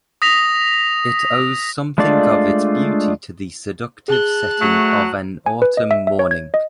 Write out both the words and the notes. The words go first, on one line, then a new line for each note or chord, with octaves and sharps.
It owes something of its beauty to the seductive setting of an autumn morning.
D#6 A#6 B6 F7
G#3 A3 D4 F4 D5
G#4 A5 F#6 G7
F#3 A3
G#5
B4
D#5
E5
E5
C#5
G#6
D#5